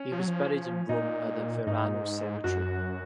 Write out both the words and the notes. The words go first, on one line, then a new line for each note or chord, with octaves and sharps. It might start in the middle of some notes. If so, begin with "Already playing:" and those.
He was buried in Rome at the Verano Cemetery.
Already playing: C#4
F3
F#3
F3
A#2 D#4
G#2 D#4
F#2 F#4